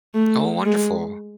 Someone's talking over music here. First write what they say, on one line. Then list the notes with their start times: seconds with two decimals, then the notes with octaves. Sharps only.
Oh, wonderful.
0.14 A3
0.66 G#3